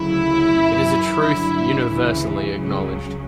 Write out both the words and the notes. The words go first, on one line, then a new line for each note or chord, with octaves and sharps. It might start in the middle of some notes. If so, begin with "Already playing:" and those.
It is a truth universally acknowledged.
Already playing: D2 C#3 F#3 E4
F#2 E3
G2 D3 F#3 E4
D2 C#3 E3
C#2 C#3 F#3